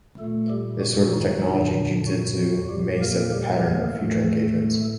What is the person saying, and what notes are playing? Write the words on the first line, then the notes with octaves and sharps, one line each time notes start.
This sort of technological jiu-jitsu may set the pattern of future engagements.
A#2 A3 A4
G3 G4
F#3 F#4
D#3 D#4
A#2 D3 D4
F#3 F#4
A#2 G3 G4
A#3 A#4
G3 G4
A#3 A#4
A2 A3 A4